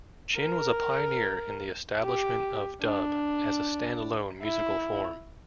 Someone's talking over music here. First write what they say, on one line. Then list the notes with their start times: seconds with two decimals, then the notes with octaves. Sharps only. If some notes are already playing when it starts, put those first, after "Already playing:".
Chin was a pioneer in the establishment of dub as a standalone musical form.
0.39 A#4
2.02 G4
2.82 D4
4.43 E4